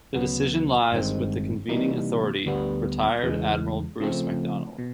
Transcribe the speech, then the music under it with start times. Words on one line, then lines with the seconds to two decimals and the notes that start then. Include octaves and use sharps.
The decision lies with the Convening authority, retired Admiral Bruce MacDonald.
0.14 D2 C#3 F#3 B3
0.92 G1 G2 D#3 G#3 C4
1.68 C3 E3 G3 A#3 D#4
2.46 D2 D3 G3 B3
3.23 E2 C#3 E3 G#3
4.00 C#3 F3 A3 C4
4.78 B2